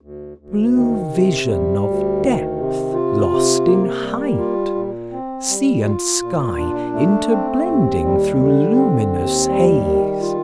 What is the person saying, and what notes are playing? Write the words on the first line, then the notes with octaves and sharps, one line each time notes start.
Blue vision of depth lost in height,--sea and sky interblending through luminous haze.
D2
D2
D#3
C3
G3
D2
D#3
C3
F4
C3
A#3
G3
F4
A#2
C4
G3
F4
A#2
D4
A3
C4
D#2
G3
D3
C4
D#2
G3
D#3
F4